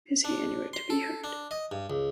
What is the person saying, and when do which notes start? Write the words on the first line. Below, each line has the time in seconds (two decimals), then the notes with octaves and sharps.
Is he anywhere to be heard?
0.24 D4
0.73 C6
0.90 A4
1.24 D4
1.51 D#5
1.72 G2
1.90 C#2